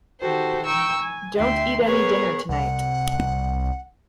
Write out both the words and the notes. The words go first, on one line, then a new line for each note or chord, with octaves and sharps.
Don't eat any dinner tonight.
D#3 F#4 G4 A4 C5
G5 A#5 C#6 E6
G#5
D2 E5 G5 C6
B3 G#4 A#4 B4 C#5
C2 F#5